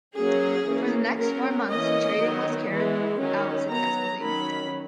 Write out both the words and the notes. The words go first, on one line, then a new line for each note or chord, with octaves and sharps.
For the next four months, trading was carried out successfully.
F#3 A#3 C#4 G#4
E3 A#3 C#4
F#3 C#4 A#4
E3 A#3 C#4 D#5
D#3 F#3 B3
E3 G#3 B3
D#3 F#3 C#4
F#3 B3 A#5
D#3 F#3 C#4 B5